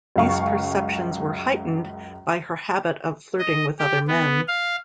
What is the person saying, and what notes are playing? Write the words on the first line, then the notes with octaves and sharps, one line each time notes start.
These perceptions were heightened by her habit of flirting with other men.
C#2 F#2 F5 C#6
D#5
G4
B3
F5